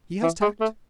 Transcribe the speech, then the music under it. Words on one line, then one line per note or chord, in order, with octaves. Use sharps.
He has tact.
E3
G#3
A3